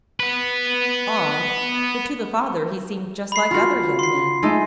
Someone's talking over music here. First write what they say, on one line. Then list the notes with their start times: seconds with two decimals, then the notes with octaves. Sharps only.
Odd, for to the father he seemed just like other young men.
0.20 B3 B4
3.32 B5 C7
3.51 F4 F#4
3.99 C6 C7
4.43 G#3 A3 D#4